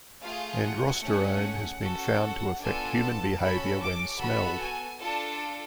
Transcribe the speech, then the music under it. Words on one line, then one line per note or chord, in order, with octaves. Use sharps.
Androsterone has been found to affect human behavior when smelled.
A3 F4 G#4 F5
F#5
A3 C#4 G#4
C#4 F#4 A4
F#5
B3 D4 F4 A4 G#5
A5
C#4 F#4 A4 B5
D6
B3 F#4 A4 B5
G#5
D4 F4 A4 A5